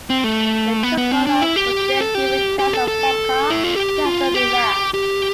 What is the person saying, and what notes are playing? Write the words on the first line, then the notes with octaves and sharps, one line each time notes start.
The cosmonauts were then given shots of vodka to help them relax.
C4
A3
B3
B3
C4
D4
E4
G4
A4
G4
G4
A4
A4
E4
F4
G4
F4
G4
G4